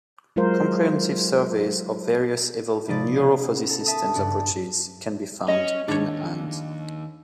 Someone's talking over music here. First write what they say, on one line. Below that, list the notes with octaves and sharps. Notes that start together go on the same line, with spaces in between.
Comprehensive surveys of various evolving neuro-fuzzy systems approaches can be found in and.
F#3 G#3 F4 A#4 C5 F5
C3 F3 D#4 D5 B5 A6
B3 C#4 C7
A4
E5 A5 D#6
F#1 G2 D4 F#4
C#4 D#5
D#2 D4 C#5